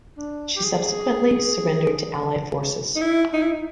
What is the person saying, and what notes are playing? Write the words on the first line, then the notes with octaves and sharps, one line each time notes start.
She subsequently surrendered to Allied forces.
D4
G4
G#4
D#4
E4
D#4
E4
D#4